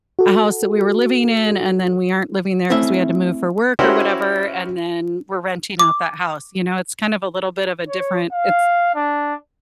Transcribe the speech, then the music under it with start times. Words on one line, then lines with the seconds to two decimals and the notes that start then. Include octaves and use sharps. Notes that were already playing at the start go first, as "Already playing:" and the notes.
a house that we were living in and then we aren't living there 'cause we had to move for work or whatever, and then we're renting out that house. You know, it's kind of a little bit of a different it's
0.19 F#4 A4
2.70 A3 C4 C#4 E4 E5
3.79 C#4 E4 F#4 G4 A#4 C5
5.79 D6
7.88 C#5
8.33 F5
8.95 D4